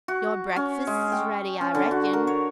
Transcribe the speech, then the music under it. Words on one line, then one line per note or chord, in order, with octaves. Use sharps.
Your breakfast's ready, I reckon.
F#4
C#4
G#3
G5
C#4
D3
F#4
A#4
C#5